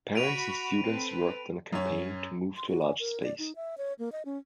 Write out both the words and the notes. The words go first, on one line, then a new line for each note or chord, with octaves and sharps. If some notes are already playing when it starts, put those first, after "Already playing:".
Parents and students worked on a campaign to move to a larger space.
F#4 B5 D7 D#7 F7
C4 A4 B4
F#2 C#4
C6
F#4
G#5
A#4
D5
D#4
E5
C#5
A#3
D#5
C#4